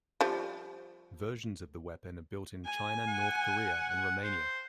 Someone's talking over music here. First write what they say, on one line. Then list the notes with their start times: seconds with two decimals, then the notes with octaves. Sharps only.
Versions of the weapon are built in China, North Korea and Romania.
0.21 F3 G3
2.65 G#5
3.07 F#5
3.89 F#5
4.24 C5